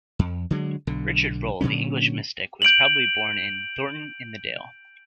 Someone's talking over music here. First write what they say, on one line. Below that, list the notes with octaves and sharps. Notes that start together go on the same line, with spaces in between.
Richard Rolle, the English mystic, was probably born in Thornton in the Dale.
F2
D3 F#3 G#3
B1 D3
A#2 D3 F#3 C#4
G6 D7 F7 F#7